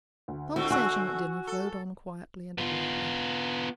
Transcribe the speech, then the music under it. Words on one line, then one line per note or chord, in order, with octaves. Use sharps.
The conversation at dinner flowed on quietly and agreeably.
D2
D3 A3 C4 F#4
F#4 G#5 C#6 E6
A4
B3 F4